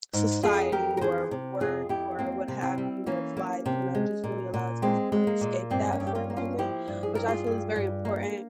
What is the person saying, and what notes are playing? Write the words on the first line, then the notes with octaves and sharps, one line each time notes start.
society or work or what have you of life, you know, it just really allows me to kind of escape that for a moment, which I feel is very important,
G#2
F2 F4 G#4
F2 G4 A#4
A#4
E3 G#4 C5
C3
F2 F4 G#4
F2 E4 G4
A#3 C4
C3
C4 E4
G3
E3 A#3 C#4
A#3
C3
G#3
A#2
A#2
G#3 C4
G#3
A#3
A#2
G2 C4
A#3 C#4
G2
G4
C#4 F4
A#3
C#4 F4
F3 E4 G4
G2
G#4
G2 A#4
F4 G#4
G2
G2
A#3